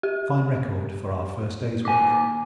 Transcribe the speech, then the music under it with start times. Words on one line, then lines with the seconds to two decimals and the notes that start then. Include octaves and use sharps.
A fine record for our first day's work.
0.03 G4
1.85 D#2 G#5 D6